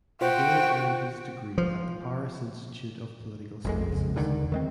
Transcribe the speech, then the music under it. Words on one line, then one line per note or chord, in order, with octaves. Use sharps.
He then earned his degree at the Paris Institute of Political Sciences.
F4 F#4 C5 G5
F3
A#1 F2 D#3 G#3 A3
E2 C#3
D2 D3 D#3
D#3 G#3 C4